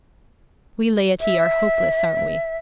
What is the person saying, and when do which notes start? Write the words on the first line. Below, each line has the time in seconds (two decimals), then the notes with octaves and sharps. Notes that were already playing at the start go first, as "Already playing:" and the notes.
'We laity are hopeless, aren't we?
1.21 E5